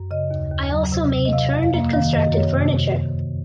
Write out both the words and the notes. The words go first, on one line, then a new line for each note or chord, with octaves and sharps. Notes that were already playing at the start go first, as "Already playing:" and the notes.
I also made turned and constructed furniture.
Already playing: F#2
C#3 D#5
D#2
D#2
F#3
C3
C3
D#5
C3 F5
F2
F5
A#3
D#3 F5
F#2 D#5
F#2 C#5
C3